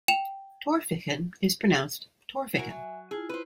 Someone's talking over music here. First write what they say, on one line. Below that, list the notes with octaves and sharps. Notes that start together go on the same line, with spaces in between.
Torphichen, is pronounced 'Tor-fikken'.
G5 E7 F7
E4 F#4 A#4 E5 G#5
F#3
E4 F4 G#4
B4 C5